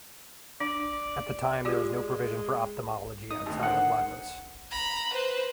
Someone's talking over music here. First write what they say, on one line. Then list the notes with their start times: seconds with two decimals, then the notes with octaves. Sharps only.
At the time there was no provision for ophthalmology outside of Lagos.
0.60 D4 D5
1.65 G#3 F4 G4 D5
3.31 D#4 D#6
3.46 G#1 D2
3.63 D3 D#3 C5 F#5
4.71 A#5 B5
5.13 B4 C5